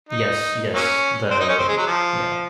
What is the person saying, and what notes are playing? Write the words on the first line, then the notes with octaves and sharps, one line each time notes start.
Yes, yes. The yeah.
D#4
F#3 A#3 C#4
C4
D#4
C#4
C4
G#3
F#3
F3